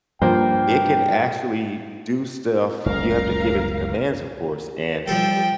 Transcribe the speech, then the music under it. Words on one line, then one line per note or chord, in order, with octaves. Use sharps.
it can actually do stuff. You have to give it the commands, of course, and
G2 F3 A#3 C5 G5
F#1 C#2 A#4 F5 A#5
F3 G3 A4 G5